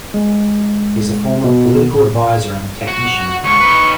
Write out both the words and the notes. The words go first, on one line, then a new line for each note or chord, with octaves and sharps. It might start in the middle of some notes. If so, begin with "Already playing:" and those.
He is a former political advisor and technician.
G#3
B2
A2
F#4
C#2 D3 C#6
D#4 B4